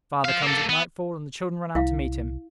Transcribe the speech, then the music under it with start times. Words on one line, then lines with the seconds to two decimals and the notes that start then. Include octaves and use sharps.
The father comes at nightfall, and the children run out to meet him.
0.25 C5 F5
0.43 A#3 A4
0.69 B3
1.75 C2 E4 F5